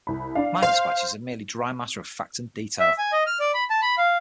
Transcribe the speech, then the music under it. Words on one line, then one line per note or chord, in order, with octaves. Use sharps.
My dispatches are merely dry matter of fact and detail.
C2 B5
D4 F5
C5 F5
E5
G#5
D#5
F6
D5
B5
A5
B5
F5